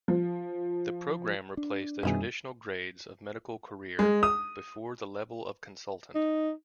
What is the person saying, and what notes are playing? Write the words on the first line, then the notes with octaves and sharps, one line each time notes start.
The programme replaced the traditional grades of medical career before the level of Consultant.
F3
D4
F#2 B2 D#3 G3 C#4 E4 G#4
G#3
D#6
D#4